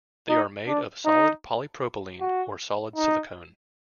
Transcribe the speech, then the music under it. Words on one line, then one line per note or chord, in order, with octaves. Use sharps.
They are made of solid polypropylene or solid silicone.
D#4
D4
D#4
F#4
D#4